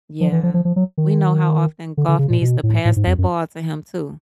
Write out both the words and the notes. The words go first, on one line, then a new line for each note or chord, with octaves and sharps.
Yeah. We know how often Goff needs to pass that ball to him, too.
F3
E3
F3
F3
F3
F#3
D#3
D3
D3
C#3
A#2
B2
A2
A2
G#2
F2
F#2